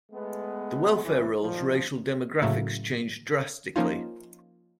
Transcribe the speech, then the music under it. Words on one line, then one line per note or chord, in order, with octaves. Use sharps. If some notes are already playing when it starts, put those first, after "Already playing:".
The welfare rolls racial demographics changed drastically.
G#3 A3 B3
C2 A2 E3
A#2 D#3 F3
A2 C#3 F#3 A3 A#3
F3 A#3 C#4 D#4 F4